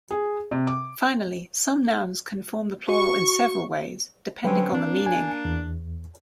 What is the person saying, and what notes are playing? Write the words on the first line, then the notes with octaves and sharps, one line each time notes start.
Finally, some nouns can form the plural in several ways, depending on the meaning.
G#4
C3
D6
F#4 C#6
D3 F#3 C4 C#4 B4 G5
A#3 C4 D4
G#5
E2